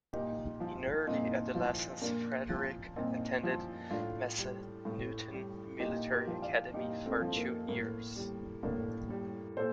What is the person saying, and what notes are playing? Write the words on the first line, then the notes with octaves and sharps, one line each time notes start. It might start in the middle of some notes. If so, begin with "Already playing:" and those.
In early adolescence, Frederick attended Massanutten Military Academy for two years.
A#2 D#4 G4
F3
A#2 C4 D#4
F3
A#2 A#3 D4
F3
A#2 C4 D#4
F3
A2 D4 F4
G3
A2
G3
A#2 D#4 G4
G4 A#4
F3
D5 F5
A#2 D#4 G4
A3 C4
F3
A#3
A2 A#3
G3
A2 A#3 D4
G3
A#2 A4 C5